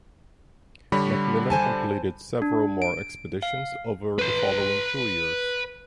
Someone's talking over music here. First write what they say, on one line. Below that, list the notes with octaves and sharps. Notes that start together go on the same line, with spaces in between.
McMillan completed several more expeditions over the following two years.
D3 G3 C#5 B5
C5 G#5 A5
D4
D7
F5
B4 C6